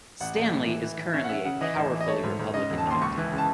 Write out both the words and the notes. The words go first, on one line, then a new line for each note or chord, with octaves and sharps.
Stanly is currently a powerfully Republican county.
A1 F#5
A1
A2
E3
E3
E3
C#4 E5
F#5
C#4 E5
C#3 F#5
E3 D#5
A1
E3
D#5
A3 C#5
G#2
G#2
C#3 D#5
E1
A5
D#2
C6
C#2 C#6
E3
C#3
A5